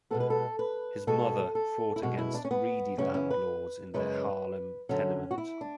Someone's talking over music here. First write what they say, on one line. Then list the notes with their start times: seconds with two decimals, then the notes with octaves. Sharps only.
His mother fought against greedy landlords in their Harlem tenement.
0.10 B2 G#3 B3 A4
0.20 B4
0.30 A4
0.59 B4
1.07 B2 G#3 B3 A4
1.55 A4
1.96 E4
2.02 B2 G#3 B3 F#4
2.18 E4
2.34 D4
2.45 C#4
2.51 B3
2.98 F#2 C#3 E3 B3 C#4
3.14 C#4
3.30 B4
3.94 F#2 C#3 G#3 B4
4.89 F#2 D3 F#3 C#4
5.31 F#4
5.38 E4
5.61 D4